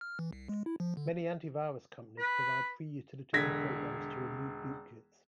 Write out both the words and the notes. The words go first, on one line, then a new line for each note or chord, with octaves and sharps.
Many antivirus companies provide free utilities and programs to remove bootkits.
F6
E3
C2
G#3
E4
F3
D3
B4
E1 D3 G#6 A#6 B6